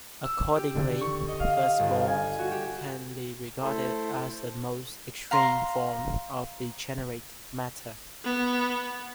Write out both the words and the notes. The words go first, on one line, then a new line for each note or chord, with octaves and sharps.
Accordingly, fuzzballs can be regarded as the most extreme form of degenerate matter.
E6
G4
D3
C#6
D#5
F5
F5
G1
G#5
F#4
G4
A3 E4 A4 C5
F5 A#5 C6
B3